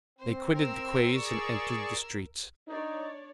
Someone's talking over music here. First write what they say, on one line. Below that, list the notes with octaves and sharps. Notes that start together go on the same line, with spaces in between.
They quitted the quays and entered the streets.
C4 C5
A#4 E6
G#4 D5 C#6
D4 D#4 C#5 D5